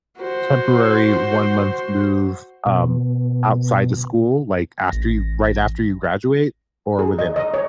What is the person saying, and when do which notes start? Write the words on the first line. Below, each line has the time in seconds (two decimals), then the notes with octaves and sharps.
temporary one-month move, um, outside the school, like, after you right after you graduate or within it?
0.18 F#4 C5
2.66 B2
4.90 A1 A#6
6.99 G#4
7.19 D#5
7.36 D#5
7.54 C#5